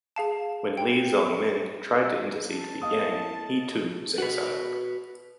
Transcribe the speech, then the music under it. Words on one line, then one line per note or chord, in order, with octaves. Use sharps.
When Li Zongmin tried to intercede for Yang, he too was exiled.
G#4 F5 A5
G5
C#4 A5
A#3 B3 E4 D#5 F5 D#6
F#4 B4